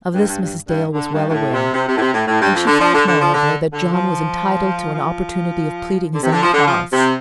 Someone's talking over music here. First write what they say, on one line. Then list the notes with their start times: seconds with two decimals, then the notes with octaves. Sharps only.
Of this Mrs. Dale was well aware; and she felt, moreover, that John was entitled to an opportunity of pleading his own cause.
0.14 G2
0.27 G2
0.41 G2
0.68 G2
0.93 D3
1.13 G2
1.28 G2
1.34 A2
1.53 C3
1.73 C3
1.87 C3
1.96 A2
2.00 C3
2.14 A2
2.27 A2
2.40 G2
2.54 F2
2.66 D3
2.79 F3
2.94 D3
3.06 D3
3.20 F3
3.33 D3
3.73 D3
3.92 F3
4.93 F3
6.12 D3
6.22 C3
6.32 D3
6.43 F3
6.52 D3
6.66 F3
6.92 C3